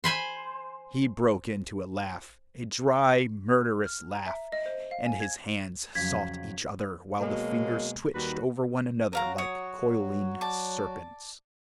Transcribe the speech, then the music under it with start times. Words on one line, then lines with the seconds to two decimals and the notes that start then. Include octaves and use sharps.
He broke into a laugh, a dry, murderous laugh, and his hands sought each other while the fingers twitched over one another like coiling serpents.
0.04 C5 G#5 B5 C6
3.86 F6
4.14 A#5
4.26 E5
4.52 D#5
4.66 C5
4.91 F5
5.06 G#5
5.20 G#6
5.95 F2 C#3 F#3 G#6 B6
7.20 B2 F#3 G#3 A#3
8.14 D#2 D#3 G3 F#4 B4
9.13 F#3 F#4 A#4 F5 A#5
9.38 C#5 D#6
10.41 D5 A5